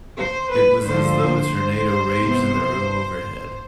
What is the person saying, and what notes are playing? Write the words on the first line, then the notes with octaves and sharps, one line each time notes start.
It was as though a tornado raged in the room overhead.
C5
B4
D2 D3 F3 C5
C3 E3 B3